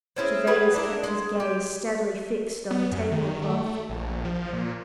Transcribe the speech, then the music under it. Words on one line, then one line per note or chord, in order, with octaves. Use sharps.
Gervase kept his gaze steadily fixed on the table-cloth.
C4 C#4 E4 G#4
G#4 B4 F#5 G5
D4 E4 A#4
G#3
G4
B3
F#2
D#3
A3
A3
A#1
F3
A#2